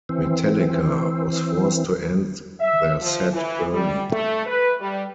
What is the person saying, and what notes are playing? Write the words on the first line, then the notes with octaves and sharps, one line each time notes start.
Metallica was forced to end their set early.
E3 C4
E5
F3
E3
G3
A3
B4
G3